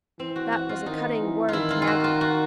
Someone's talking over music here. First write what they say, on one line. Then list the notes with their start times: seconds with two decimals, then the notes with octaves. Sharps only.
That was a cutting word to Maggie.
0.19 E3 C4
0.36 F#4
0.52 F#4
0.69 F4
0.86 D#3 D#4
1.20 E3
1.48 D#3 E4 F4
1.70 F4
1.82 F4
1.87 F#4
2.04 F4
2.21 F#4